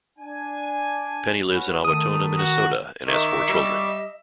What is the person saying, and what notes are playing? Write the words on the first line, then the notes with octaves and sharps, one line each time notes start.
Penny lives in Owatonna, Minnesota and has four children.
D4 G#5
C#4 F#4 B4
D#3 A3 D#6
F#4
D#3 D#5 E5 C#6 D6 E6
G3 D#5